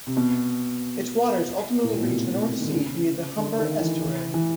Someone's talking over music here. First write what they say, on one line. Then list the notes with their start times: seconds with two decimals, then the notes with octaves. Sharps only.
Its waters ultimately reach the North Sea via the Humber Estuary.
0.07 C3
0.17 B2
1.83 A2
1.92 A#2
2.01 B2
2.09 C3
2.41 C3
2.58 D#3
2.66 D3
2.73 C#3
3.37 D3
3.59 D#3
3.79 E3
4.02 E3
4.34 E3